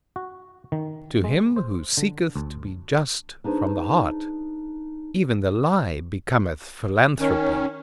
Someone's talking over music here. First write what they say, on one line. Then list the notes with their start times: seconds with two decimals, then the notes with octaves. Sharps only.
To him who seeketh to be just from the heart, even the lie becometh philanthropy.
0.16 F#4
0.72 D#3
1.24 G#3
1.56 C5
1.97 D3
2.36 D2
3.44 D4 D#4 G#4 B4 C5
7.19 D#3 C#4